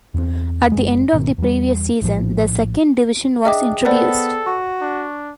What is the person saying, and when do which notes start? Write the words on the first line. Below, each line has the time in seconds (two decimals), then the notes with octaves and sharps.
At the end of the previous season the second division was introduced.
0.14 E2 C4
0.72 F#1 G#3
1.13 G#1 B2 D#3
1.38 E2 G3
2.02 A#1 A2 D3 F3
3.45 D4 G#4 D#5 E5 G5 D6 D#6
3.85 B3 A4 B4 C5 D5
4.46 F#4 C#6
4.82 D4